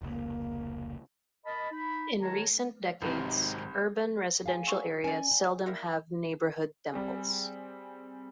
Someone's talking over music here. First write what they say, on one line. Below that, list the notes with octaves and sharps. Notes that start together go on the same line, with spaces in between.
In recent decades urban residential areas seldom have neighborhood temples.
F1 C#2 A#3
A#4 D#5 A5 B5
D#4 B5
D#3 G#3 C#5 A5 A#5
B1 G#2 C3 D#3 F#3
G#4 F5 G#5
F#3 C6 C#6
C#4 D5 G#5
G5
G3 A#3 E4
G3 C4 G#4